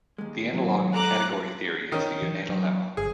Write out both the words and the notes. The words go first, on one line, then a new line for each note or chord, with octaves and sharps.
The analogue in category theory is the Yoneda lemma.
D#2 G#3
F#3
A4 A#5 D6 F#6
D#3 C#4
E3 F3
F#3
G1 G#4